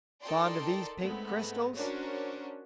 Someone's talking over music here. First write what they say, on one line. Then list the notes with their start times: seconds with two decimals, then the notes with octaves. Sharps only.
"Fond of these pink crystals?"
0.22 D#4 A4 A#4 D5 G5 C6
1.00 G#2 G#3 A3 B3 C4
1.75 C#4 D4 F#4 A#4 C5 C#5